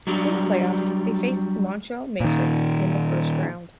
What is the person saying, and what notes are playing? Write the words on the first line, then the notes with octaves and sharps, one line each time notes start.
In the playoffs, they faced the Montreal Matrix in the first round.
F#3 G3 D4
A#2 D#3